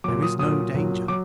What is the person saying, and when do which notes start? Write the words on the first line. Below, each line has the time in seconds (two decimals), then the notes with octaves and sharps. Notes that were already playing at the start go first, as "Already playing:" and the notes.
"There is no danger."
0.04 A#2 F#3 D6
0.22 D#6
0.39 A#2 F#3 D#6
0.74 A#2 F#3
1.08 F#3 D6